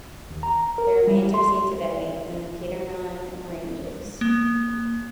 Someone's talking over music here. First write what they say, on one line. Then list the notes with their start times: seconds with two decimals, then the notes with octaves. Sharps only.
The remains are seen today in the Petermann Ranges.
0.30 D#2
0.43 A#5
0.78 A#4
1.07 G3
1.34 C6
4.21 A#3